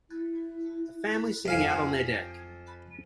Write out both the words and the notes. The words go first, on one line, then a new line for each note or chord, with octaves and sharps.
A family sitting out on there deck.
E4
F2 F5 G#5